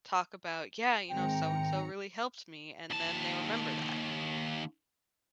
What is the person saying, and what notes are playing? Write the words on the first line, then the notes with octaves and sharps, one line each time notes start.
talk about, "Yeah, you know, so-and-so really helped me," and then they remember that,
G#2 D#3 G#3 C4 G5 A#5 C#7
D#2 A5